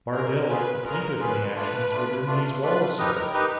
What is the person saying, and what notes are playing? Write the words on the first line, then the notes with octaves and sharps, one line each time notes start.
Bardell, the plaintiff in the action, is within these walls, Sir.'
C#4 F4 G#4 A#4
C#4 F4 G#4 B4
C#4 F4 G#4 A#4
C#4 F4 G#4 B4
A3 D4 F4 B4
A3 D4 F4
A3 D4 F4
A3 D4 F4 B4
D#4 G4 A#4 B4 D#5
D#4 G4 B4 D#5